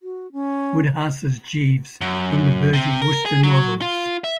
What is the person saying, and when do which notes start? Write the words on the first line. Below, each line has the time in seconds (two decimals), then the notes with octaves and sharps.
Wodehouse's Jeeves from the Bertie Wooster novels.
0.03 F#4
0.32 C#4
2.01 F#2
2.73 C3
3.02 A#4
3.26 G#4
3.43 F#3
3.82 F4
4.24 E5